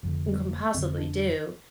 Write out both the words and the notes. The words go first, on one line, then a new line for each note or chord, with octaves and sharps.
can possibly do,
F1 F2 D3 F3
G3
A#3
F1 F2 D3 C4
D4